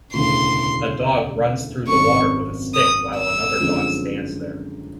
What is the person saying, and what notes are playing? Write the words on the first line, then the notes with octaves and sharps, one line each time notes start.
A dog runs through the water with a stick while another dog stands there.
E1 D2 C#3 E3 C6
G#1 F#2 D#3 G3 C4 C#6
D#6
E6
F#2 D3 F3 G#3 C4